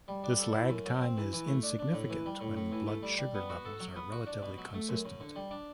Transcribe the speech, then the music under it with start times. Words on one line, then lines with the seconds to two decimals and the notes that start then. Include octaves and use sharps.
This lag time is insignificant when blood sugar levels are relatively consistent.
0.08 G3
0.24 D4
0.39 A4
0.54 E4
0.70 F#2
0.86 F#3
1.02 C4
1.17 E3
1.33 E3
1.47 A3
1.63 D4
1.79 D4
1.94 A2
2.10 E3
2.26 G3
2.41 A2
2.56 A2
2.72 E3
2.87 A3
3.03 G3
3.18 G3
3.34 B3
3.49 F#4
3.65 A4
3.80 F#3
3.96 B3
4.12 F#4
4.26 D4
4.42 B2
4.58 F#3
4.74 A3
4.89 F#2
5.05 F#2
5.20 D3
5.36 G3
5.51 D4